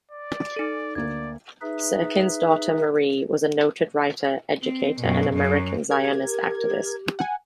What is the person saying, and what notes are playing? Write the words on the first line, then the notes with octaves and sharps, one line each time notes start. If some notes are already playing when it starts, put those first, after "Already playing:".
Syrkin's daughter Marie was a noted writer, educator and American Zionist activist.
D5
D#4 A4
D2 A#3 D5 G#6
D#4 G#4 B4 E5
C4
F#2 B2
F#2 F#3
G4 A#4 G#6
F#5 G#5